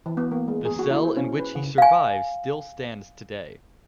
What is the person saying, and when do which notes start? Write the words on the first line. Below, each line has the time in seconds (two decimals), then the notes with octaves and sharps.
The cell in which he survived still stands today.
0.06 E3
0.17 B3
0.31 A#3
0.48 G#3
0.65 G#4
0.79 F#4
0.91 E4
1.05 C5
1.17 C#4
1.39 B4
1.55 C#3
1.78 F5 G#5